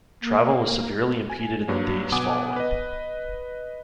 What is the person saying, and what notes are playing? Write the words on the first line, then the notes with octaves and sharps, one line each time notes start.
Travel was severely impeded in the days following.
A#3
G#5
G2 F#3 A#3
B2 B3 F#5 G#5 D6 D#6
B4 D#5